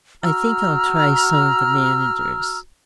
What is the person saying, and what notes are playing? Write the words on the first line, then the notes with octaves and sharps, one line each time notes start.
"I think I'll try some of the managers."
F#4 A#5 E6 F6